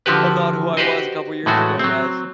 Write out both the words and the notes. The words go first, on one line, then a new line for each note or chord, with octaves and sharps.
"I'm not who I was a couple years ago, guys."
D3 F3 F#4 G4 B4
F#4 G4 B4 C5 D#5
A2 E3 G#3 A3 F#4
F#3 C4